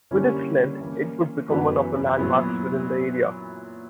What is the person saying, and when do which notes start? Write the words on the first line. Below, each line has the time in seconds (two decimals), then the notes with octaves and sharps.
With its length, it would become one of the landmarks within the area.
0.11 D3 G3 A#3 C#4 E4
0.80 E3 A#3 C#4
1.49 F#2 E3 B3 F#4 B4
2.18 A#2 F#3 B3 E4